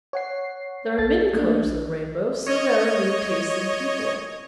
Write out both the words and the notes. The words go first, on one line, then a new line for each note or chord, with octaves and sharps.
There are many colours in the rainbow; so there are many tastes in people.
C#5 F#5 C7
B1 A4 A6
A3 A#3 D4
C#5 D#5